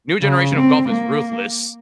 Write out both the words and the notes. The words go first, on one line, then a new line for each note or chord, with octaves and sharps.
New generation of golf is ruthless.
C#3
C4
A#3